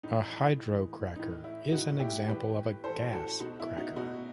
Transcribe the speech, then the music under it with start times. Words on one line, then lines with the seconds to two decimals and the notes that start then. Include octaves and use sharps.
A hydrocracker is an example of a gas cracker.
0.03 A2 E3 D#4
0.59 A2 E3
1.16 A2 E3 D#4
1.44 E4
1.71 A2 E3 D#4 F#4
2.00 E4 G4
2.28 A2 E3 G4 B4
2.84 A2 A4 C5
2.89 E3
3.13 F#4 A4
3.40 B2 D#4 F#4
3.60 E4
3.77 D#4 F#4
3.96 B2 D#4 F#4